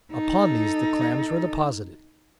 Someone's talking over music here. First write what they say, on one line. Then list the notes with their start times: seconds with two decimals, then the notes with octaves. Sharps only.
Upon these the clams were deposited.
0.13 D#4 A4